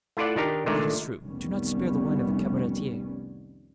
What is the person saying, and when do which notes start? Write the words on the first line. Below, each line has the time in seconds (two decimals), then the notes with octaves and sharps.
"That is true; do not spare the wine of the cabaretier."
0.17 A3 E4 F4 A4 D5 F#5
0.36 D#3 D4 D#4 G4 A#4
0.66 A#2 D3 D#3 G#3 A3
1.25 F1 C2 D#3 G3 B3 C#4